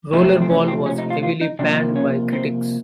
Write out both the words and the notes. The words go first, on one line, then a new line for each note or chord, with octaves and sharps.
"Rollerball" was heavily panned by critics.
C3 F3 A3 C4 E4
C4
C#4
C4
C#4
D#4
F4
F4
D#4
C3 F3 A#3 D4
C#4
C4